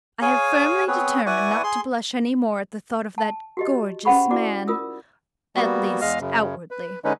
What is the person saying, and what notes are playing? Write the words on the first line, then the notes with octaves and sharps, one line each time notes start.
I have firmly determined not to blush any more at the thought of that gorgeous man--at least outwardly.
G#4 C#5 F5 G#5
B3 C4 G#4 B4 C#5
E4 B4 D5 F#5 G#5 C#6
G#4 C6
A5
F#4 G4 D#5
C#4 G#4 C5 F#5 B5 C#6
E4 F#4 D5 D6
F4 A#4 D#6 E6
G3 A#3 B3 F#4
E2 G#3 D#5 F5 F6
F#2 C#3
B4
D3 G#3 C#4 D#4 B4